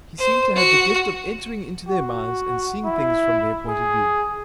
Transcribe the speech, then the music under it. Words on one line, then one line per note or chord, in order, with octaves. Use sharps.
He seemed to have the gift of entering into their minds and seeing things from their point of view.
C5
F#4
F#4
E4
G#4